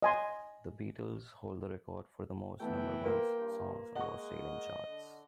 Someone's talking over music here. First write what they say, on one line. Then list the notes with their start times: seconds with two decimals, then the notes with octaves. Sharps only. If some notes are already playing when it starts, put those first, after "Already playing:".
The Beatles hold the record for the most number-ones songs on the Australian charts.
0.02 D#5 G#5 C6
2.60 E3 A3 B3 G5
3.05 A#3 F4 B4
3.38 G2
3.96 G#3 D#5 F#5 C#6
4.85 D3